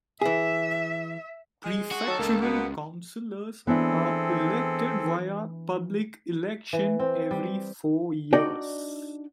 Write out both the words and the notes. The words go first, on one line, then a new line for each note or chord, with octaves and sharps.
Prefectural councillors are elected via public election every four years.
E3 G#4 E5
G#3
F#4
D#3 F#3 A4
C#2 A#3
B2 B3
E3 B3 C4 D4 E4 G#4 A4
E3
C4
G3
D4 D#4 F#4 D5 D#5 G5